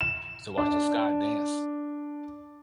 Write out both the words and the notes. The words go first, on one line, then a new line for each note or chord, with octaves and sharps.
so watch the sky dance,
E7
D4